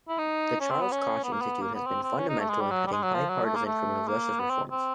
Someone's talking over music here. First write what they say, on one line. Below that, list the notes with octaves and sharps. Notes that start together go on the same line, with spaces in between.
The Charles Koch Institute has been fundamental in heading bipartisan criminal justice reforms.
E4
D#4
C#4
C4
B3
C#4
B3
A#3
B3
A#3
B3
C4
C4
C#4
D#4
A3
G#3
G3
F#3
G3
G#3
F#3
F3
F#3
A3
A#3
A3
A#3
B3
C4
C4